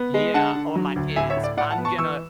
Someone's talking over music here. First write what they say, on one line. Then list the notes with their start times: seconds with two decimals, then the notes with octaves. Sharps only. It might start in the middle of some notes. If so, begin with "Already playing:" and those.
Yeah, or my kids, I'm gonna
Already playing: B3
0.14 G#3
0.34 D3 F#5 A5
0.55 D3
0.75 F#3
0.96 D2
1.16 A2 E5 G#5
1.30 C#5 E5
1.37 A2
1.44 D5
1.57 A2 D5 F#5
1.71 F#5 A5
1.78 B3
1.85 A5 C#6
1.98 E3 C#6 E6